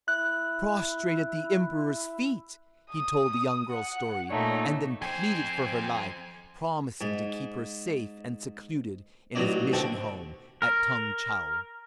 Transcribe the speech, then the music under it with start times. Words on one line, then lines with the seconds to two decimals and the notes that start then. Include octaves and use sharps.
Prostrate at the emperor's feet, he told the young girl's story, and then pleaded for her life, promising to keep her safe and secluded in his mission-home at Tung-Chow.
0.08 E4 F#6
2.91 D#6
3.71 F#5
4.30 A#2 A3 D#4 C#5
5.02 F2 C5 G5 G#5
7.01 G#2
9.35 A1 F#3 D#4 D5 D#5
9.73 B2 D3 A3 C4
10.62 A#4